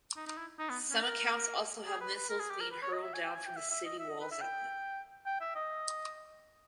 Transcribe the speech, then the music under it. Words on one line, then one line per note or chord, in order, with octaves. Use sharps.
Some accounts also have missiles being hurled down from the city walls at them.
D#4
D#4
E4
D#4
B3
C#4
A#4
G#4
B4
B4
A#4
G#4
G4
A#4
B4
C#5
D#5
E5
G#5
G5
G#5
G5
E5
E5
D#5
E5
D#5
B4
E5
G5
G5
E5
D#5